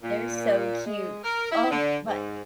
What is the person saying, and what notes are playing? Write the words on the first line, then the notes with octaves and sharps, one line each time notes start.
They're so cute. Oh, but
A#2
G#3
A#4
E4
D3
G#2